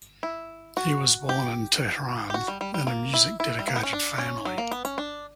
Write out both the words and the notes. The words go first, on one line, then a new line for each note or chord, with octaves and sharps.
He was born in Tehran in a music-dedicated family.
E4
F#4
G4
G4
F#4
G3
G3
G3
A#3
E4
E4
G3
A#3
B3
C#4
D4
C#4
F#3
A#3
B3
C#4
D4